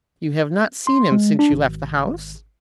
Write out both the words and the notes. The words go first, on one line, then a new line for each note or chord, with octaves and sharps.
"You have not seen him since you left the house?"
C6
G#3
D4
G#1